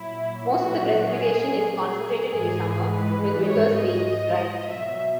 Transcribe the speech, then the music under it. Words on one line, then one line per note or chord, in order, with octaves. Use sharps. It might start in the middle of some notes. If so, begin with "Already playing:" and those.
Most of the precipitation is concentrated in the summer, with winters being dry.
Already playing: A#2 F#3 E4
F#4
G#4
G#4
G#2 E3 G#3 G#4
B4
C#5
D#5
B2 F#3 E5